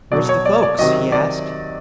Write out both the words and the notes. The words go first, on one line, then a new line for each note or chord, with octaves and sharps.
"Where's the folks?" he asked.
B2 F#3 D5
C#5
D5
D5
C3 D#3 F#3 D#5
D5